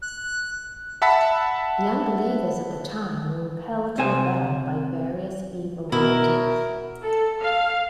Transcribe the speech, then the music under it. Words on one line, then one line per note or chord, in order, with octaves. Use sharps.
The unbelievers at the time were impelled to rebel by various evil motives.
F#6
E5 F#5 A5 B5 E6 B6
C3 C5 G#5
B2 E4 A#4
A4
F5